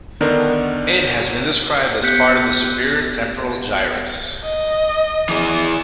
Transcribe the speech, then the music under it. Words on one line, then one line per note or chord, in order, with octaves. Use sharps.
It has been described as part of the superior temporal gyrus.
D3 D#3 B3 D4 A#4
B3 G4 F#6 G6 B6 C#7
D#5
E3 G#4